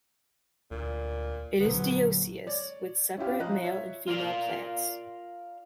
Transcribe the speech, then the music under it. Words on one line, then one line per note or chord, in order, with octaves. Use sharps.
It is dioecious, with separate male and female plants.
D2 A#2
A#1 D3 F#3 B3
C#5 D5
C#4 E4 F4 G4 F5
F3 D#5 F5 A#5 F#6
F4 C#5 E5
F4 A#4 D5 F5